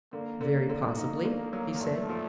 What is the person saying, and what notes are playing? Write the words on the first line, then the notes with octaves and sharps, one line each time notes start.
Very possibly, he said.
D3 A#3
D3
D3
D#4
D3
F#3
A#2 A3
F3